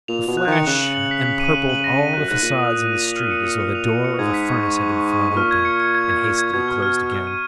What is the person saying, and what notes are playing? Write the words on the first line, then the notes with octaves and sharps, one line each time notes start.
A flash empurpled all the facades in the street as though the door of a furnace had been flung open, and hastily closed again.
A#2 F7
B2 F7
F#6
D#3
C#7
C#3 F#6
F#7
F#7
B6
B6
D#7
F#7
F#7
A#6
D#7
F#2 F#6
G#2 F#6
A#2 D#7
D#6
D#7
D#7
F7
F6
C#7
C#7
C#7
F7
C#7
C#7
G#2 G#6
B6
C#6
C#6
G#6
C#6
C#6
C#6
G#2
A#2 F6
G#6
C#7
C#7
G#6
G#6
G#6
G#6
B2 G#6
F6
F6
G#6
F6
D#7